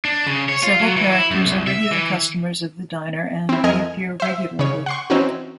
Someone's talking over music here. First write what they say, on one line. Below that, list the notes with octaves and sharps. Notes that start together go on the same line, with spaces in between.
Several characters are regular customers of the diner and reappear regularly.
D4
C#3
C#5
F4
F#3
E3
E4
F#2
C2
E5
E3
C4 E4
F2 A#4 D#5 G#5 F6 G#6
C5 E5
C#3 C#5
F#5 C6 C#6
E3 C4 C#4 D#4 F#4